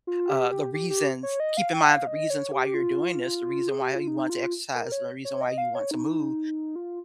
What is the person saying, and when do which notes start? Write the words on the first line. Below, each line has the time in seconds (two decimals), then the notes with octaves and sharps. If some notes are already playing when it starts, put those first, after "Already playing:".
uh, the reasons keep in mind the reasons why you're doing this, the reason why you want to exercise, the reason why you want to move,
0.07 F4
0.29 G4
0.51 G4
0.74 G4
0.90 G4
1.23 C#5
1.40 D#5
1.57 F5
1.73 G5
1.91 F5
2.07 D#5
2.30 C#5
2.52 G4
2.74 F4
3.68 G#4
3.81 G4
3.95 F4
4.07 D#4
4.30 F4
4.75 A#4
4.92 C#5
5.25 C#5
5.41 D#5
5.58 F5
5.75 C#5
5.91 D#4
6.76 F4